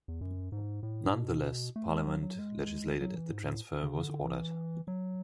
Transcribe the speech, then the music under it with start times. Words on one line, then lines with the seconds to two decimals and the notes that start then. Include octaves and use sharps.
Nonetheless Parliament legislated at the transfer was ordered.
0.08 E2
0.21 F#2
0.52 G#2
0.83 A2
1.13 B2
1.76 A3
1.91 G#3
2.07 F#3
2.22 F#3
2.39 G#3
3.01 F#3
3.16 E3
3.32 G#2
3.46 A2
3.83 C#3
4.04 D3
4.25 E3
4.88 F#3